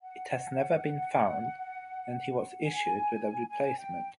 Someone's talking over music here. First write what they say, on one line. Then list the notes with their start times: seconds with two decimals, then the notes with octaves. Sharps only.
It has never been found, and he was issued with a replacement.
0.02 F#5
2.62 G#5
3.48 G#5
3.78 G5